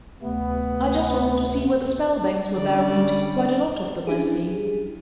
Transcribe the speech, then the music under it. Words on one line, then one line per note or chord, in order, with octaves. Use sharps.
"I just wanted to see where the Spelbanks were buried--quite a lot of them, I see."
D2 C3 A3 B3
D3 G3 C#4 D5
C#4 D4 E4 G4 G#4